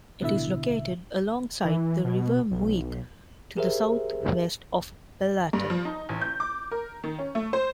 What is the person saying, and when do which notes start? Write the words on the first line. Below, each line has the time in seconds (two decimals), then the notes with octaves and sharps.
It is located alongside the River Muick to the southwest of Ballater.
0.21 A1 B2 D3 E4 E5
1.65 E3
2.04 B2
2.51 B1
3.57 G4 G#4 A#4 C5 E5
5.53 G2
5.70 F3
5.85 D#4
6.09 A1
6.21 G6
6.40 D6
6.71 A#4
7.04 D#3
7.19 C#4
7.35 A3
7.53 C5